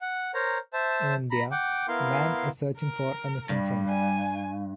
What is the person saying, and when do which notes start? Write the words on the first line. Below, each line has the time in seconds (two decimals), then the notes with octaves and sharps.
In India, a man is searching for a missing friend.
0.01 F#5
0.34 A#4 C5 C#5 A#5
0.73 C5 E5 A5
1.31 A#5 B5
1.51 F#5 G5 D6
1.88 B3 E4 A#4 F5 C6
2.79 A#4
3.49 G2 G3
3.89 G#5